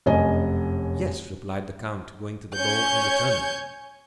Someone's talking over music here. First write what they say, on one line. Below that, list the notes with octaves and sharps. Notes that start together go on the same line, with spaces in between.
"Yes," replied the count, going to the door, and returning.
F1 F#2 C#4 D#5 G#5
C#4 C#5 G#5 G6 G#6 C#7